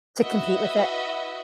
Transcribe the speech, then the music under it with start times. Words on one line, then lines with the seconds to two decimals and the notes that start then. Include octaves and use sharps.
To compete with it.
0.21 E4 F#4 B4 D#5 E5